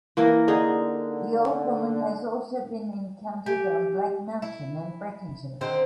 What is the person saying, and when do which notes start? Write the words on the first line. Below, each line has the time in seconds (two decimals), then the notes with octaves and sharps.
The Old Woman has also been encountered on Black Mountain in Breconshire.
0.17 E3 A#3 A#4
0.48 D3 D#4 G#4 D#5
3.46 G4 G#5
4.42 E4
5.61 D3 D#3 C4 C5